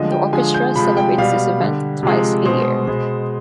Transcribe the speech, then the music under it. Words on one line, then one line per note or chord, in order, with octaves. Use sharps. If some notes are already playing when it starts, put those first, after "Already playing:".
The orchestra celebrates this event twice a year.
Already playing: D3 F3 G#3 D#5
G5
D3 F3 G#3 G#5
G6
C3 F3 G#3 B5
G5
B2 G3 F5
D3 G3
C3 F3 G#3
B2 G#3 C5
B2 G#3